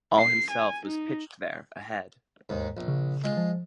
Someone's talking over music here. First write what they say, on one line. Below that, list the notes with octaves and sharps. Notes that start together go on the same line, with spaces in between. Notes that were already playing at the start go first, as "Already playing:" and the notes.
All himself was pitched there, ahead.
C7
G#5
D#4
D#2 G#2
A#1
C#3
G#3 F4
F3